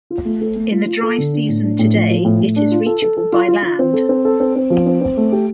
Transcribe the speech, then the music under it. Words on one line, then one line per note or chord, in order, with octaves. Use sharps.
In the dry season today, it is reachable by land.
F4
A3
A4
A3
F4
F4
A4
D3
D4
A2
D4
A2
F3
F3
A2
A2
D4
F4
A4
A4
A4
F4
F4
F4
C4
A4
C4
A4
C4
C4
F3
C4
C4
A3
G4